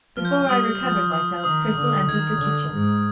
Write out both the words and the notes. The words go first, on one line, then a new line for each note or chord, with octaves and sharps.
Before I recovered myself, Cristel entered the kitchen.
F3 F6
G6
F6
G3 D#6
F3
D#6
D#3 D#6
D3
D#3 G#6
D3
G#2